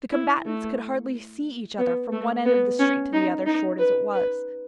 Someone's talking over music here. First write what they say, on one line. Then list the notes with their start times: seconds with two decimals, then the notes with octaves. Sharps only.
The combatants could hardly see each other from one end of the street to the other, short as it was.
0.12 E4
0.45 A3
1.78 B3
2.12 A3
2.45 B3
2.79 C#4
3.13 D#4
3.46 D#4
3.79 B4
4.13 B4